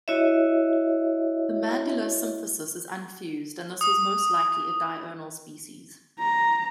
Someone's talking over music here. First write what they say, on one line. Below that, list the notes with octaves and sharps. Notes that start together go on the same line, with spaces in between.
The mandibular symphysis is unfused and this was most likely a diurnal species.
E4 F#4 C#5 D#5 E5
D#6
A#5